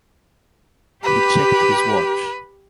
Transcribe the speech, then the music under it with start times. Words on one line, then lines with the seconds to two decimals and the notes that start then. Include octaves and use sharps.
He checked his watch.
1.04 G4 B4